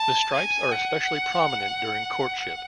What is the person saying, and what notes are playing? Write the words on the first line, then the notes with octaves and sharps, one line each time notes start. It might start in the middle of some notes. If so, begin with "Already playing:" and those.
The stripes are especially prominent during courtship.
Already playing: A5
G#5
F#5